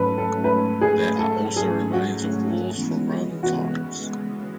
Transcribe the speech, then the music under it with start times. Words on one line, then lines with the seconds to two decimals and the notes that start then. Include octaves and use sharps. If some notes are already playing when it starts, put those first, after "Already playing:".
There are also remains of walls from Roman times.
Already playing: G#2 F#3 A3 C#4 A4 B4
0.18 A4
0.44 B4
0.81 G#4
1.19 A4
1.56 G#4
1.93 F#4
2.68 C#3 E3 G#3 B3
3.43 F#4